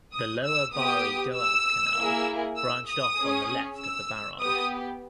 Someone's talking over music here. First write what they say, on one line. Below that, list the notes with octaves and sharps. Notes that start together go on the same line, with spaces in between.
The Lower Bari Doab Canal branched off on the left of the barrage.
D#6
E6
B3 G4 D#6
E6
A#3 E4 G#4
E6
D#6
C#4 G#4
E6
B3 G4 D#6